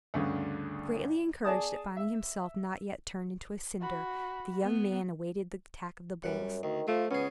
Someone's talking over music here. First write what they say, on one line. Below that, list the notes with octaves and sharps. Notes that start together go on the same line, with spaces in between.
Greatly encouraged at finding himself not yet turned into a cinder, the young man awaited the attack of the bulls.
D2 G2 C#3
G#4 D5 A5 D#6
E5
F#4 B5
B3
F#2 G3 F#5
D2 D#3
F3 A3 F4
C#2 B3 C#4 G#4